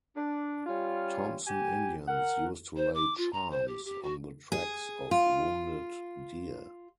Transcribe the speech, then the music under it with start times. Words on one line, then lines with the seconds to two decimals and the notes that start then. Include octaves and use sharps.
Thompson Indians used to lay charms on the tracks of wounded deer.
0.16 D4
0.66 G3 C#4 F4
1.47 G4 G#5
2.08 A#4 F#5
2.76 C5
2.94 D6
3.17 F4
3.32 A#5
3.50 C5
3.67 G4
3.85 G4
4.03 F#4
4.52 G#4
5.11 F4